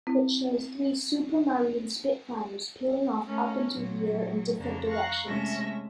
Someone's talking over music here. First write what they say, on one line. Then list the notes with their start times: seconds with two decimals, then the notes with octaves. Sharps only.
It shows three Supermarine Spitfires peeling off up into the air in different directions.
0.07 C4 E4
3.27 A3 C#4 A#4
3.70 A#2 F#3
4.57 F2 C#3 A#3 D4 A#5
4.89 F5 A#5 C#6 F#6
5.26 C3 G#3 A3 C#4 E5 A#6